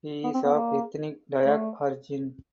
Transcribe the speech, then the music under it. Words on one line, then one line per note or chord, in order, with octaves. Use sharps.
He is of ethnic Dayak origin.
B3
C4
B3
A#3
A3